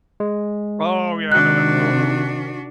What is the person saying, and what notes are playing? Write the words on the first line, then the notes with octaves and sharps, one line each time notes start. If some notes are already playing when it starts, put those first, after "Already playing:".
Oh yeah, I know that song,
G#3
C3 D#3 D4 F#4 F#6